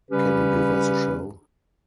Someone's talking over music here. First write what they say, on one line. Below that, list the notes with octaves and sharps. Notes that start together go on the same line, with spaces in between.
Can you give us a show?
C#3 G3 C#4 G4 B4